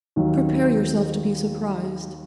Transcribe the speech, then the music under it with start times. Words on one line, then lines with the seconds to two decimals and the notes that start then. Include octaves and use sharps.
Prepare yourself to be surprised.
0.16 D#2 D#3 F#3